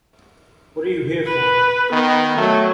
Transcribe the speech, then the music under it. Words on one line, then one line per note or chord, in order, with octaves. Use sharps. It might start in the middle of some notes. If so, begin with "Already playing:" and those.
What are you here for?
B4
D#3 B3
F#3 A3